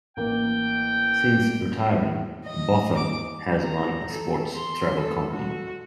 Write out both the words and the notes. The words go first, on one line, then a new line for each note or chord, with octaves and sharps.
Since retiring, Botham has run a sports travel company.
A1 A#3 A#4 G5
D#5
D6
A#5
A4
C6
A4
F#4